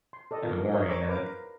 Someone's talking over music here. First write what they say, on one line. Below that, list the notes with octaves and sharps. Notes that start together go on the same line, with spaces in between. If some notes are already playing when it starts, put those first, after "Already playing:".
and morning, and it
C6
A4 D5 D#5
F4 A#4
G#4 A#4 C#5 E5
C5 C#5 A#5 D6 E6
A#4 B4 F5 A#5 D6